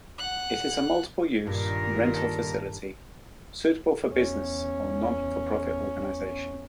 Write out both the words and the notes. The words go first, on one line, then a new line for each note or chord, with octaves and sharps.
It is a multiple-use rental facility suitable for business or not-for-profit organization.
F#5 F#6
G2 A#2 D#3 A#4
A4
E2 C#4